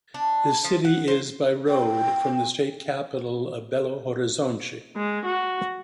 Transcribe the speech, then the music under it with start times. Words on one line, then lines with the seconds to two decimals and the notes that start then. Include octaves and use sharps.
The city is by road from the state capital of Belo Horizonte.
0.14 D4
0.64 F3
0.85 F#5
1.08 C5
1.68 G5
4.96 G#3
5.25 F#4